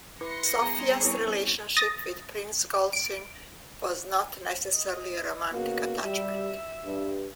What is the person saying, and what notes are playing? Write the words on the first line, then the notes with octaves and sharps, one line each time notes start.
Sophia's relationship with Prince Golitsyn was not necessarily a romantic attachment.
E4 B4 C6 D6 A#6 C#7
G3 B3 G#4 A#5
C4 C#4 E4 A#4 B4 C#5 D6
D#6 A6 A#6
D7
D#5
C#3 A#3 B3 F#4
G3 E5
G2